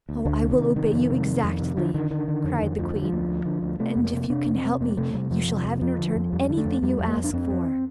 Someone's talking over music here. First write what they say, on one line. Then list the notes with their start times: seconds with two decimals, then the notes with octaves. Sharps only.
'Oh, I will obey you exactly,' cried the queen, 'and if you can help me you shall have in return anything you ask for.'
0.09 D2
0.25 D2 D3
0.42 C3
0.51 D#3
0.60 C3
0.76 C3 D#3
0.93 F2
1.10 C3
1.27 F2
1.44 F2
1.60 C3
1.77 D3 F3
1.94 D3 D#3
2.11 D3 D#3
2.28 D3
2.44 F2
2.62 F2
2.78 D2 F3
2.95 D3
3.03 F3
3.12 D2
3.29 D2
3.45 D3
3.63 D2
3.79 C3 A3
3.96 F2
4.04 A#3
4.13 C3
4.30 C3 D4
4.47 F2
4.55 C4
4.64 C3
4.80 F2 A#3
4.97 C3 A3
5.14 C3 G3
5.31 F2 F3
5.48 C3
5.57 F3
5.65 F2
5.81 F2 F3
5.98 D3
6.16 F2
6.32 F2 G3
6.49 D3
6.57 A3
6.65 F2
6.82 F2 G3
6.99 F2
7.08 A#3
7.17 F2
7.24 D4
7.33 F2 C4
7.50 F2